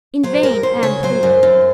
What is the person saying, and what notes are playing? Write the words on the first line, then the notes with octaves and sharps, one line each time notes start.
In vain Anne pleaded.
F#3 C5
F#2 A#4
F#2 C5
C#3 C#5
F#3 C5
F#2
F#2